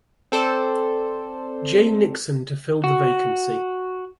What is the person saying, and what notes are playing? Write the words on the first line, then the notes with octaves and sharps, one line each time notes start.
Jay Nixon to fill the vacancy.
C4 A4 C5 D5
F#4